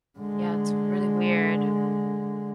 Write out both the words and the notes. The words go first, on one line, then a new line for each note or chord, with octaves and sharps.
Yeah, it's really weird.
D3 G#3